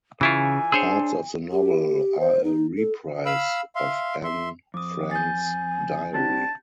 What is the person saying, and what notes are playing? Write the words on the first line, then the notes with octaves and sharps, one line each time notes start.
Parts of the novel are a reprise of Anne Frank's Diary.
C#3 E3 E4 F4 G#5 C#6
D4 G#4 C5 C#5 C6 E6
G4
C5
D#4
A4
F5 B5 E6
E5 F5 C6
E5 C6
F2 D6 D#6
G#5 G6 A6
C4 D4 G4 A5